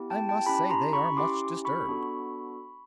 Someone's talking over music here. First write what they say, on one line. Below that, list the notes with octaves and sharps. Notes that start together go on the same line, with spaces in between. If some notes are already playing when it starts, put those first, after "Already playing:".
"I must say they are much disturbed."
Already playing: B3 E4 G4
G5 A5
G5 A5
C#4 E4 G4 A5 B5
A#5 C6
B5 C#6
C#4 E4 G4 C6 D6
B5 C#6
B3 D4 F#4 A4